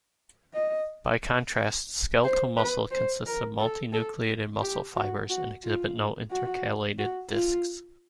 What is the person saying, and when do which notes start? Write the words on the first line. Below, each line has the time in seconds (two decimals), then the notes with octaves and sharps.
By contrast, skeletal muscle consists of multinucleated muscle fibers and exhibit no intercalated discs.
0.54 D#5
2.24 C5
2.57 B4
2.91 C5
3.26 A#4
3.59 A4
3.93 A4
4.61 G4
4.96 F#4
5.30 F#4
5.63 F4
6.31 F#4
6.98 F#4
7.32 F4